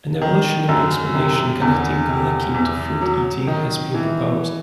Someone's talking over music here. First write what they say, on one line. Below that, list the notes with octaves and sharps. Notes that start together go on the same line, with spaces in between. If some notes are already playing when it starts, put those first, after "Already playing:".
An evolutionary explanation connecting lekking to fruit-eating has been proposed.
D#3
F#2
C3
E2
C3
E2
F#3
D#3
E3